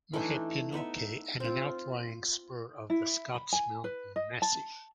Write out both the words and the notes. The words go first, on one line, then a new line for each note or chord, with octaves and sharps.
Mohepinoke and an outlying spur of the Scotts Mountain massif.
E3 A3 D4 D#4
B3 D#4 B4 E5
C4 F4
E4
B5
G#5
B4
D#5
A5